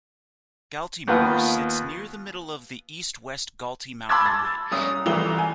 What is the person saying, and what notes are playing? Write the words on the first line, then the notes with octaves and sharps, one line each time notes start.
Galtymore sits near the middle of the east-west Galty mountain ridge.
D#2 B3 F4
A5 B5 C6 D6 E6 G#6
A6
C2 C#4 D#6
C2 E3 A3 G7
G#5